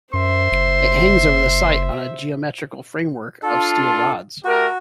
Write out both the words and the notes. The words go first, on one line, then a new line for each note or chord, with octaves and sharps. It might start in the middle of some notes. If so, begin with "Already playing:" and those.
It hangs over the site on a geometrical framework of steel rods.
F#2 C5 E5 C6
F#1
D4 F4 A4
A3 F#4 G4 A#4